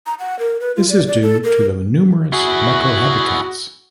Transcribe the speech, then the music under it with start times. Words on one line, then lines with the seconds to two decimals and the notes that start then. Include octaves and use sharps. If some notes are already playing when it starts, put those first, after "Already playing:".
This is due to the numerous microhabitats.
0.06 A#5
0.19 F#5
0.39 A#4
0.61 B4
0.76 F4
0.89 D5
1.07 D5
1.23 A4
1.44 A#4
2.33 E4 F#4 G#4